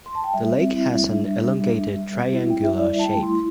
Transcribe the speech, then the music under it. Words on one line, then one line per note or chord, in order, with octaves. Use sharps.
The lake has an elongated triangular shape.
C6
A5
G5
G3 E5
C4
E4
G3
D4
G3
G3
D4
G3
G3
C4
E4
G3 G5
E5
E4
D5
G3 E5
A5
A3 G5
E4 C6